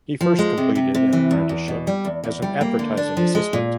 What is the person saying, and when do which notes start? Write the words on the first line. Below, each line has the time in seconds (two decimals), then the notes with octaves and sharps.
He first completed an apprenticeship as an advertising assistant.
0.21 F3
0.39 G#3
0.58 C3
0.75 C3
0.94 C3
1.13 E3
1.31 E2
1.49 E2
1.68 B2
1.87 G3
2.05 E2
2.24 E2
2.42 G3
2.61 A#3
2.79 D3
2.97 D4
3.17 F3
3.35 G#3
3.53 A#2